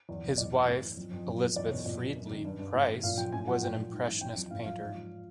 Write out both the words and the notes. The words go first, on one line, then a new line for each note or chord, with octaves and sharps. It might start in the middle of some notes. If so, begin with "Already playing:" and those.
His wife, Elizabeth Freedley Price, was an Impressionist painter.
E2
B2
E2 D5
B2
A2
E3
F2
F2
F2
F2
E2 D5
B2 C#5
A#2 D5
F3
F#2
D#3
G2
G2
A2
E3
A#2 F5
F3 G5
A2 G#5
F3 F#5
A#2 G5
F3
G#2
E3
F2 G5
F2
A2 F5
F3 F5
G#2 F5
F3